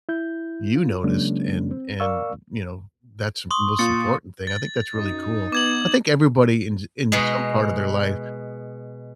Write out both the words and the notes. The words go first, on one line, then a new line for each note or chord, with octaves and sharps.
you noticed, and and, you know, that's the most important thing, I think that's really cool. I think everybody in in some part of their life,
E4 G6
F4
C#3 F#3 G#3 A#3 C#4 D4
C4
A#4 D5 F5 C#6 E6
C6 C#6 D#6
A#2 A6 C#7
A6
F#2 D#4
B3 D6 G#6 F#7
B2 G#3